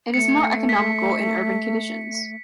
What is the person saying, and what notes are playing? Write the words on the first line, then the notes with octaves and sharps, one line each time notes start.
It is more economical in urban conditions.
A3 C#7
B6